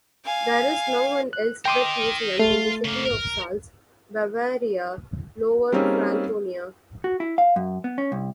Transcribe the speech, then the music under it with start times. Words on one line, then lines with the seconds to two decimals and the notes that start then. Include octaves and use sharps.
There is now an Elsbett Museum in the city of Salz, Bavaria, Lower Franconia.
0.25 F5 G#5
1.33 F#6
1.65 A#4 D#5 G5 C6 D6
2.39 A3 F4
2.85 C#3 A#3
3.05 A#4
5.72 G3 A#3 C4 C#4 D#4 G#4
7.04 F#4
7.20 E4
7.38 F5
7.56 F#2
7.84 B3
7.98 C#4
8.12 C2